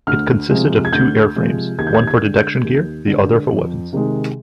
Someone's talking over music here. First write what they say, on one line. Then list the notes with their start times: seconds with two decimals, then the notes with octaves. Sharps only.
It consisted of two airframes, one for detection gear, the other for weapons.
0.07 D2 F6
0.50 C3 F3 G#3
0.85 G#6
0.92 D2 G6
1.36 C3 F3 G#3
1.78 D#2 G#6
1.87 G6
1.94 G#6
2.07 G#6
2.21 D3 G#3
2.36 G6
2.64 D#2
3.07 D3 G#3
3.50 F2
3.93 C3 D#3 G#3